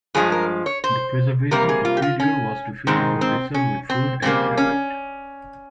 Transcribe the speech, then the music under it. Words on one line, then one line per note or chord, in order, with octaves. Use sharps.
The preservation procedure was to fill up a vessel with food and cap it.
G2 F3 G#3 G#4
A#4
C#5
C5
C3 G3 A#3 A#4
G#4
F4
G4
F4
C#4
G#2 D#3 G#3 C4
C4
C#4
C4
F2 C#3 G3 A#3 C4
C#4